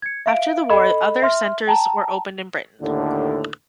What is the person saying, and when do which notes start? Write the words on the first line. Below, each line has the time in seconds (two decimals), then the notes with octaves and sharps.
After the war other centres were opened in Britain.
0.02 G#6 C#7
0.26 E5 F5 D7
0.70 A4 D#5 B5
1.22 E5 C6 F6
1.67 G5 A5 A#5
2.80 D#2 A2 D3